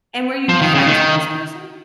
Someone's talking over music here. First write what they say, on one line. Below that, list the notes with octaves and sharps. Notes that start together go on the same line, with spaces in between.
And were you friends with this person?
F3
D#3
C#3
D#3